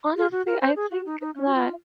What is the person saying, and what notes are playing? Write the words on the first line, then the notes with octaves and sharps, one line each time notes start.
Honestly, I think that,
F4
F#4
A#4
C5
G#4
F#4
D#4
D#4
C#4
F#4
F4